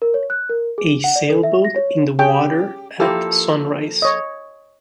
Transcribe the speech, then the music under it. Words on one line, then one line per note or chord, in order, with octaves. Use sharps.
A sailboat in the water at sunrise.
A#4
C#5
F#6
A#4
G#4
F#5
D5
A4
E5
A#6
C#5
C#4 G4 G#4 G5
F3 A#3 E4 G4 A4
C#5 D#5